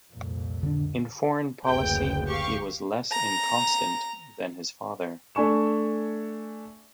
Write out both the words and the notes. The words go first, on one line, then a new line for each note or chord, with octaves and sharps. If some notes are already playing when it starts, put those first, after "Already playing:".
In foreign policy, he was less inconstant than his father.
C2 F2 A#2
D3 C4 D4
F#1 D2 A#3 G#4 B4 G5
G4 F5 C#6
A#5
A3 D4 G#5 C#6 E7